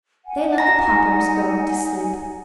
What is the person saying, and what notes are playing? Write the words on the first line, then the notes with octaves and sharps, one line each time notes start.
They let the paupers go to sleep!
F#5 G#5
D#4 A#5 A#6